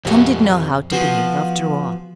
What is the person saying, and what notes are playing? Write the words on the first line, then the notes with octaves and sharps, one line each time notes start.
Tom did know how to behave, after all.
C2 F2 A#2 F#4
F3 B3 F#4 G#4